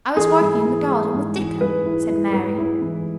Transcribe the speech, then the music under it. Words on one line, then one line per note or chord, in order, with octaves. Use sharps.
"I was working in the garden with Dickon," said Mary.
E3 G#4
G#2
E3
G#3
G#2
E3
G#2 B4
E4
E4
G#2 B4
E4
E3